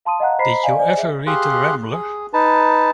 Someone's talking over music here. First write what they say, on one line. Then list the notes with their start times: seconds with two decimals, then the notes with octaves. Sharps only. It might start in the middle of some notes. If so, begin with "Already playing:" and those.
Did you ever read the Rambler?
0.05 F5 A5 C6 D#6 D#7
0.20 D#5 F5 F#5 A#5 F#6
0.39 C5 D#5 A#5 B5 B6 C7
0.63 D5 D#5 F5 G#5
0.79 C5 D5 D#5 G#5
0.97 G#4 E5
1.27 G4 G#4 F5 C6 F#6
1.93 G#4
2.33 D#4 B4 A5